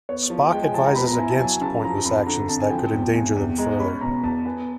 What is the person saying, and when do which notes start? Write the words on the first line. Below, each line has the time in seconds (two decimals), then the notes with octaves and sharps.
Spock advises against pointless actions that could endanger them further.
0.09 B3 C#5
0.30 F3
0.52 G#3 G5
0.63 G#5
0.74 F3 A5
0.86 A#5
0.95 B3 B5
1.07 A#5
1.18 E4 G#5
1.29 A5
1.39 F#3 G#5
1.61 C#3 A5
1.83 F3 A#5
2.05 F2 B5
2.26 D3 A#5
2.49 F2 A5
2.60 G#5
2.71 F3 G5
2.93 E2
3.14 C3 G#5
3.36 E2
3.58 G#3 A#5
3.79 C#4 B5
4.01 B2 A#5
4.23 E2 A5
4.45 B3 G#5